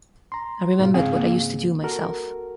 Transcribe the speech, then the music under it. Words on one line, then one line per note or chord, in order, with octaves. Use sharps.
I remembered what I used to do myself.
A#5 C6
G#2 B2 F4
G#2 C#3 C4 G#4 F5
A#3
F#4 A4 A#4